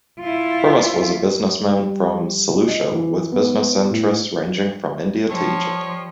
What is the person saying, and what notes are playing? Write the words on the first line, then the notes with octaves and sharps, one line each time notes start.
Firmus was a businessman from Seleucia, with business interests ranging from India to Egypt.
E4 F4
G3
D#5
E3
B3
A2
F3 G3 A4 C5 C#5